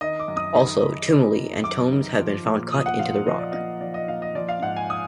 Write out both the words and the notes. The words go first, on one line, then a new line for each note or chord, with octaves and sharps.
Also, "tumuli" and tombs have been found cut into the rock.
D#3 D#5
D6
F#2
D#6
D#3 B5
D#3
D#3
D#3
F#2 D6
D#3
F3
A#2
F3 D#6
F#5
F3 F5
F3 D#5
D5
A#2 D#5
F3 D5
D#5
A#2 F5
D#5
F3 D5
F5
G#2 F#5
G#5
D#6